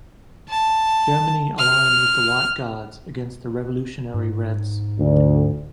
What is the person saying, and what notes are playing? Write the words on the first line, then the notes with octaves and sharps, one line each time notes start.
Germany aligned with the White Guards against the revolutionary Reds.
A5
F6
G#2
D2